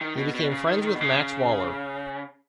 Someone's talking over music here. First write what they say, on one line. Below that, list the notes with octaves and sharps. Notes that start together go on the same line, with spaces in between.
He became friends with Max Waller.
D#3
B2
B2
C#3
D#3
D#3
B2
C#3
C#3